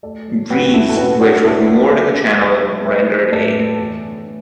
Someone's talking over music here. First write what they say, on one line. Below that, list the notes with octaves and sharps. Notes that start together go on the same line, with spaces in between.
"Breese", which was moored in the channel, rendered aid.
A3 A4 D5
F#3
A2 F#4 B4
F#4
A2 E4 A4
A4
B2 F#4 B4
A3 D4 F#4
B2 E4 A4
F#3 F#4 B4
A3 B4 E5
D3
F#3 A4 D5
F#3
A3 B4 E5
A3
A2 A4 D5
A3
E2
D3
A3